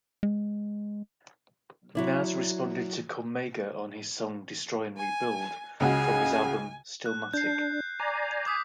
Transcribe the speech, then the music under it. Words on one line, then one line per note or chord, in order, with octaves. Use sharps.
Nas responded to Cormega on his song "Destroy and Rebuild" from his album "Stillmatic".
G#3
F#3 E4 D5
G#5
C#2 C#3 F#4 G#5
F#6
D4 G6 C7
D5 G#5 A#5
G#5 D6 D#6 B6